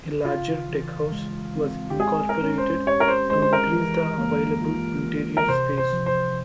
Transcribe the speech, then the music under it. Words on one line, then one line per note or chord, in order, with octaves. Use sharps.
A larger deckhouse was incorporated to increase the available interior space.
C#3 F4
E3
G#3
C4
G4
G#3 G#4
A#4
C#4
C5
G4 C#5
A#4
C5
G#3 C5
C5
A#4
E3
A#3
F4
E3
A#4
C3 C5
C5
F3
C5